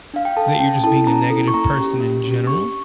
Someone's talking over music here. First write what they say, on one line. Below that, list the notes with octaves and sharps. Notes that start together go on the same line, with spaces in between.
that you're just being a negative person in general,
D4 F5
G5
A4 A5
A5
C#4 G5
E4 A4 A5
C#4 A#5
E4 A4
C#6
A#3 A#5
C#4 G4
A#3
C#4 G4
D4 C#6